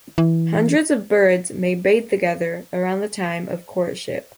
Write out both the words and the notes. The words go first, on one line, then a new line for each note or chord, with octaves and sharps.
Hundreds of birds may bathe together around the time of courtship.
E3